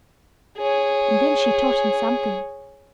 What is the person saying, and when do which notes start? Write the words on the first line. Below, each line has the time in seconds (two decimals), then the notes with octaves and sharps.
And then she taught him something!
0.58 G#4 C#5